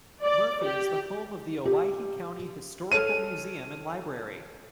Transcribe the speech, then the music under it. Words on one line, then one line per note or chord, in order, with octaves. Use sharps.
Murphy is the home of the Owyhee County Historical Museum and Library.
D5
G4
G4
A4 C#5 F6 D#7